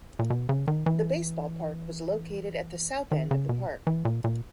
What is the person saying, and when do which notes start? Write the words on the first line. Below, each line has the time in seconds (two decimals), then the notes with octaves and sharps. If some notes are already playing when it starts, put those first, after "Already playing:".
The baseball park was located at the south end of the park.
0.19 A#2
0.30 B2
0.49 C#3
0.68 D#3
0.86 E3
3.11 D#3
3.31 C#3
3.49 B2
3.87 E3
4.05 A#2
4.24 A#2